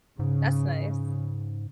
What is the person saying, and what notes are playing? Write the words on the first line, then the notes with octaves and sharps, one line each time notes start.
That's nice.
G#2 C#3